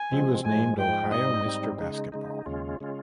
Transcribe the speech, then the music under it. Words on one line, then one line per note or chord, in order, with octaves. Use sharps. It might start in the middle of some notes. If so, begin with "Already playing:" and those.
He was named Ohio Mister Basketball.
Already playing: G#5
C3 F3 G#3 C4
G#2 F3 G#3 G#5
G#2 F3 G#3 G5
G#2 G3 C4 D#4 D#5
G#2 G3 C4 D#4
C#3 G#3 D#4
C#3 G#3 D#4
D#2 C#3 G#3 C#4 F4
C#3 G#3 C#4 F4